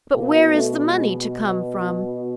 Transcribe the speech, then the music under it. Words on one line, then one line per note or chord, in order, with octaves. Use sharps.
But where is the money to come from?
B2 A#3
A3
G#3